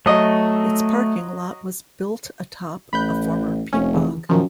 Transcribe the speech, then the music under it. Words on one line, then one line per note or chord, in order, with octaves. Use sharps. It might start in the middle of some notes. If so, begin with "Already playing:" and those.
Its parking lot was built atop a former peat bog.
F#3 A3 D#5
A1 B5 F#6 G6
F1 C#4
E2
F#2 A#2 D#3 F3